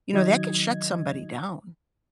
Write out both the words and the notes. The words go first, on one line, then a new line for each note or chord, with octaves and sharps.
You know, that can shut somebody down.
D#3 F#3 D#4 D#5 G#6